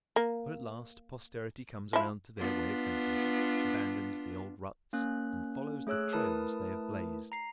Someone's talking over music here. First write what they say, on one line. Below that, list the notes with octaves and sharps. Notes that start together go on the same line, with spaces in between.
But at last posterity comes around to their way of thinking, abandons the old ruts and follows the trails they have blazed.
A#3
F3 E4
B3 D4 F4
A#3 C#4 F#6
A3 G#4 C#5 E6 F#6
A3 E4 A#4 B4 A5 D#6
A#5 C7